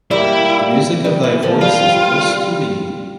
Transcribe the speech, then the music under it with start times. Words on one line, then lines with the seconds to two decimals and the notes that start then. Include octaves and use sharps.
The music of thy voice is bliss to me.
0.11 G3 A#3 E4
1.05 G3
1.23 E3
1.43 F3
1.61 G3 F4